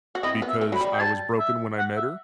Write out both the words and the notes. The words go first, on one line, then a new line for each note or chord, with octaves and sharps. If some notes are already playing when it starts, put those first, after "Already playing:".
because I was broken when I met her,
F#4
C4 E4 D#5
B3
E5
A3
F#3 B5
G3
G5
G3 A5
E5
F#5
E5